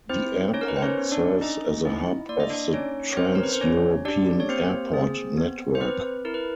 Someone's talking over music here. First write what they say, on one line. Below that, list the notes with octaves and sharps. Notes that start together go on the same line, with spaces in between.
The airport serves as a hub of the trans-European airport network.
C4 E4 C5
C#4 D#4 C#5
A#4
B4
C5
C#4 C#5
B3
D4 D5
C#4 D#4 D#5
E4
A#3 D5
D#5
D4 D5
C#4 D#4 C#5
C#5
C4 C#4 C5
A#4
B4
C5
C#4 C#5
D4 G4 D5
C#5
A#3 C4 C5
G#4
B3
C5
C4 B4
E4 A#4
B4